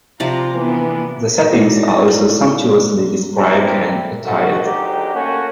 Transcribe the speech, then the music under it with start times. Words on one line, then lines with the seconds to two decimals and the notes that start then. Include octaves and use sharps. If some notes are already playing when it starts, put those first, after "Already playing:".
The settings are also sumptuously described and attired.
0.20 C3 F3 F4 D5 A#5
0.54 E3 A#3 B3 D4
1.51 D#4 E4 F#4 A4 C#5 D5
3.37 A#3 C4 D4 E4 G4 A#4
4.25 A1 D2 D#3 A3 F#4
4.64 G#1 D3 F#3 D#4 G4
5.15 A3 A#3 C#4 F#4